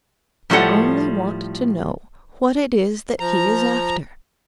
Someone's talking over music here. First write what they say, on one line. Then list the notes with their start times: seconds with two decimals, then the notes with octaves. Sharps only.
I only want to know what it is that he is after.
0.50 A2 F3 G3 A4 F#5
3.20 F3 A#5